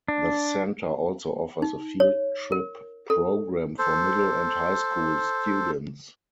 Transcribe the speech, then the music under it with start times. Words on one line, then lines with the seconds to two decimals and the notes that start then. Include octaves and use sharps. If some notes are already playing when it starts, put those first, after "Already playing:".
The center also offers a field trip program for middle and high school students.
0.08 D4
1.62 D#4
2.00 C#5
2.52 A#4
3.10 A4
3.79 A4 C5